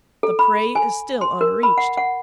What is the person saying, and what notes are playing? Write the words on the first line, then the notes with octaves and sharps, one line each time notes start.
The prey is still unreached.
A4
B5
G#5
C6
A#4
B5
F#5
F#5